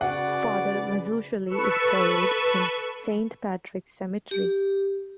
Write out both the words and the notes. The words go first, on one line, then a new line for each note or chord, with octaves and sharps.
Father Mazzuchelli is buried in Saint Patrick's cemetery.
C#3 F#4 G#4 B4 D5 F#5
A4 B4 C#6 E6
G4